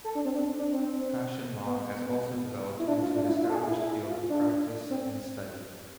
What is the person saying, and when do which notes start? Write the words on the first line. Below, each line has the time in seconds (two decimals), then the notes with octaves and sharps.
Fashion law has also developed into an established field of practice and study.
0.04 A4
0.15 D4
0.25 C4
0.35 D4
0.59 D4
0.72 C4
1.66 B3
2.06 B3
2.79 E4
2.88 D4
3.02 F4
3.15 D4
3.24 F4
3.29 E4
3.42 F4
3.49 A4
3.55 G#4
3.68 E4
4.09 F4
4.29 D4
4.90 C4